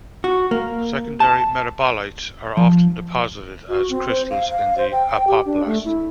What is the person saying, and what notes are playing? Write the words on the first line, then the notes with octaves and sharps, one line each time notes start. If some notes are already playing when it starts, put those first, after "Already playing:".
Secondary metabolites are often deposited as crystals in the apoplast.
F#4
A#3
A5
F3
F#4
C4
C5
F5
F5
C5
G5
G4
D4
A3
E4